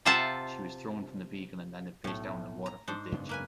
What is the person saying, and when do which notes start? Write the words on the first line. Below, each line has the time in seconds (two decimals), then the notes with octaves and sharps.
She was thrown from the vehicle and landed face-down in a water-filled ditch.
0.05 C3 F4 C5 E5 F#5 A5
2.04 B1 A2 A3
2.66 A#5
2.88 G#2 D4 C5
3.12 F#2 C#3 B3
3.29 A#3 B4 G#5